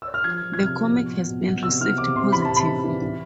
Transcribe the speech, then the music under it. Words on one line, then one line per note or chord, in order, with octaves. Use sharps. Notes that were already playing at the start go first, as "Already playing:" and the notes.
The comic has been received positively.
E6
F6
F3 G#6
F3
G#6
C3 F6
F3
B2
B2
B2
B2
C3 E6
E3 F6
C3 D6
C3 C6
E3 B5
C3 A5
B5
E3
E3
E3